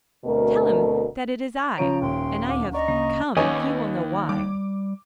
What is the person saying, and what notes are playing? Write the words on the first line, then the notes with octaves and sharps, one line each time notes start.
'Tell him that it is I, and I have come he well knows why.'
D2 B2 A3 C4 A#4
C#3 F3 C#4 C#5 A#5 D7
D#1 G5 C6
D2 D6
D5 D#5 A#5 C#6
C#3 A#3
D#2 C#4 D#4 B4 C#5 D#5 G#5
G3 D6